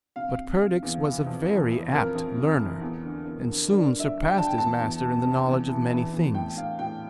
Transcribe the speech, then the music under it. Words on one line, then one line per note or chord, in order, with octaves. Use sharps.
But Perdix was a very apt learner, and soon surpassed his master in the knowledge of many things.
C3 F5
C3
C3
E2
E3
F2
E3
E3
F2 A#4
F2
C3
E3
E2
D3
E2
D3
D3 D5
G2
E5
G2
G5
D3 A5
G5
E2 A5
E2
C3
C3
E2
E3
E3
E2
A2 G5
A2 F5
A2 G5